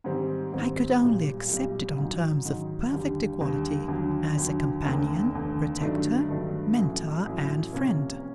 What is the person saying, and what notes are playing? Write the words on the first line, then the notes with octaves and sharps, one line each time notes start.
'I could only accept it on terms of perfect equality, as a companion, protector, Mentor, and friend.'
G#2 D#3 G3 C4
G#2 D#3 G3 C4
B1 A#2 G3
B1 A#2 G3
G#2 D#3 F#3
G#2 D#3 F#3
D#2 D3 G3
D#2 D3 G3
D#2 D3 F#3
D#2 D3 F#3
F1 D#2 D3
F1 D#2 D3
G2 D#3 F#3 A3 D4
G2 D#3 F#3 A3 D4
A1 A2 F#3
A1 A2 F#3
C2 C3 F3 A#3 C#4
C#4